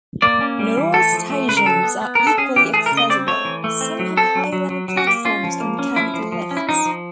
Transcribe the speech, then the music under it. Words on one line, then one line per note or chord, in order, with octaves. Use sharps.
Not all stations are equally accessible; some have high-level platforms or mechanical lifts.
A#3 D5
C#4
G3
E3
A3 A4
F3
A3
C#3 B4
A#4
F#3 A4
B3
B3
B3 A#4
A4
C#4 G#4
E3 G4
A3 G#4
A#4
C#3
D#5
C4 D5
A3 C#5
E3
A3
C4
F#3
C4 A4
F#3
F#3
F#3
F#3
F#4
A#3 G4
C#4 F4
F3
A#3
C#4
F3 E4
F3
F3
C#4
E4
F3 D#4
F3